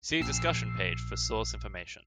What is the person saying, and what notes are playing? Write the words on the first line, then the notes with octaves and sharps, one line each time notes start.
See discussion page for source information.
A#1 E6 C7